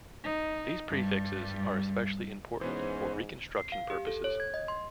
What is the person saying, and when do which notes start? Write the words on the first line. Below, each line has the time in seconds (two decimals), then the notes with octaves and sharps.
These prefixes are especially important for reconstruction purposes.
0.23 D#4
0.89 G2 G3
2.61 G#2 E3 B3 C#4 C5
3.57 C7
3.72 F5
3.90 G4
4.07 A4
4.24 C#5
4.40 G#6
4.54 D#5
4.68 C6